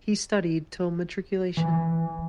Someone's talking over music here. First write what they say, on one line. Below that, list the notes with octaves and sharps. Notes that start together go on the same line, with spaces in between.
He studied till matriculation.
E3